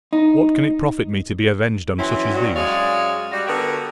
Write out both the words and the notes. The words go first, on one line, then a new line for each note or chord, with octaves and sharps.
What can it profit me to be avenged on such as these?
D#4
E3 F#3 C4 C#4 E4
G2 F#3
F#2 G#3 C#5 D5 F5
G3 F#4
D3 B3 F#4 G4 A#4